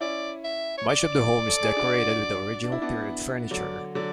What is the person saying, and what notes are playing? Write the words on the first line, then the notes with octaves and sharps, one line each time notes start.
Much of the home is decorated with original period furniture.
C#4 E4 D5
E5
C#5
D5
A4
G#4
D4 F#4
D4
E4
B3 D4
D3 F#3 D5
D3 F#3 D5